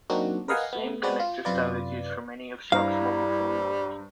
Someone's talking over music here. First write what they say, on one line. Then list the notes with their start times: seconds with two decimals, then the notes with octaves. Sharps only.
This same connector style is used for many of Sharp's mobile phone models.
0.10 F#3 A#3 C4 D4 D#4 F#4
0.48 A#4 B4 D#5 F5 F#5 G#5
0.73 A3 B3
1.02 G#3 C4 F#4 B4 D5
1.20 F4
1.45 F#2 C3 F4 B4 D5
2.72 G2 G3 E4 C5 F5 A#5